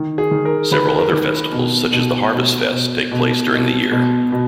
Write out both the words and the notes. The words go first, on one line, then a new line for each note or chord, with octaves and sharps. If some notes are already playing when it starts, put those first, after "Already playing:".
Several other festivals, such as the Harvest Fest, take place during the year.
Already playing: D#3
G#4
D#3
A#4
D#3 B4
A#4
D#3
B2
B2
B2
B2
B2
B2
B2
B2